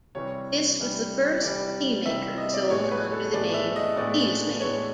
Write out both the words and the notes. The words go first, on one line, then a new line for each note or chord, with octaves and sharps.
This was the first teamaker sold under the name Teasmade.
C3 E3 G3 C#5
C3 E3 G3
C3 E3 G3 D5
C3 E3 G3 E5
E5
D#5
D5
A2 E3 G#3 B3 C#5
B4
A4
A2 E3 G#3 B3 D5
E5
D#5
A2 E3 G#3 B3 D5
A2 E3 G#3 B3 C#5